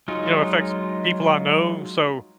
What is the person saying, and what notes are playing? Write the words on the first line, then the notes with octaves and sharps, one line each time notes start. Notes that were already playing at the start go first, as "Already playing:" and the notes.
you know, it affects people I know. So,
F#3 G#3 D#4 F4